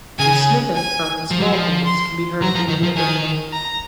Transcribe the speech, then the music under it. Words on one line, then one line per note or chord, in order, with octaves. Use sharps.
A snippet from "Small Things" can be heard at the end of the video.
C#3 G#5
G#5
F3
F#3
F3
C6
F#3 A#5
F3
D#3
F3
D#3 G#5
A#5